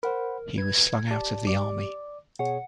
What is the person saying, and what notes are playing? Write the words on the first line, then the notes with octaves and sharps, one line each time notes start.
He was slung out of the army.
A#4 C5 F#5 B5
B4 G#6
G4 D5 A5
D5 D6
B2 G#4 C#5 F#5